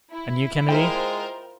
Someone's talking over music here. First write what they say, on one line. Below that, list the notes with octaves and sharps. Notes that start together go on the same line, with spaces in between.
"And you, Kennedy?"
E4
G#3 F4 A#4 C5 G5